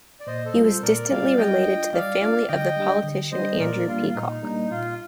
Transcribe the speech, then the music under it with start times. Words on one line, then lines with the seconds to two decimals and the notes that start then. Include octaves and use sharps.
He was distantly related to the family of the politician Andrew Peacock.
0.20 D5
0.27 A#2 C5 D#5
0.45 A4 C5
0.56 G3 C4 F4
0.64 A4 C5
0.82 A#2 A#4 D5
1.10 G3 C4 F4 D5 F5
1.37 G3 D#5 G5
1.66 D4 F4
1.93 G3 D5 F5
2.20 D4 F4 D5 F5
2.48 D3 D#5 G5
2.76 G3 D4 G4
3.04 D3
3.32 G3 D4 G4 C5 D#5
3.59 A#2 A#4 D5
3.87 G3 A#3 D4 F4
4.09 F4
4.15 A#2 D#4
4.43 G3 A#3 D4 D#4
4.70 A#2 F4